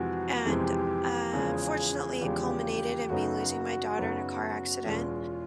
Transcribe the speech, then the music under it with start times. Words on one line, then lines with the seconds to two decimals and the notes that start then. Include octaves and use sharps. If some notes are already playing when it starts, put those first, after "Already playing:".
and, uh, unfortunately, it culminated in me losing my daughter in a car accident,
Already playing: F2 C3 E3 G#3 F#4
0.45 F2 C3 E3 G#3 G4
1.33 E2 C#3 F3 G#3 G#4
2.21 E2 C#3 F3 G#3 G4
3.09 F#2 C#3 F#3 B3 D#4 F#4
3.97 F#2 C#3 F#3 B3 D#4
4.85 E2 B2 G#3 C#4 F4